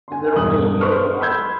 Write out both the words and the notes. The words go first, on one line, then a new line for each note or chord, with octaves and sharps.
And they don't really pay well either.
G#5 C6
E1 G2 D#6 F#7
G2
A4 B4 C5 C6 C#6 F6
F6
B5 C6 E6 G6 G#6